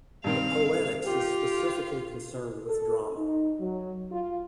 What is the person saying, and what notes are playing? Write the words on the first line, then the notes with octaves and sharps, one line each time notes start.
The "Poetics" is specifically concerned with drama.
G2 D#3 C4 F5
F4 G4
A4
D#4
F#3
F4